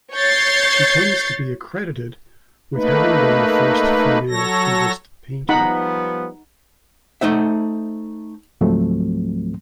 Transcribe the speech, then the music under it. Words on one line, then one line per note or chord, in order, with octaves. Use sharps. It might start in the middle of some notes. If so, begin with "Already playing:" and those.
She tends to be accredited with having been the first female cubist painter.
C#5 G6 A6 C7
A3 A#3 D#4 B4
F#3 A4 C#5 A#6
F3 G3 B3 D#4 F#5 B5
A3 D#4 C5 E5
C#2 G#2 F3 F#3 A3 C4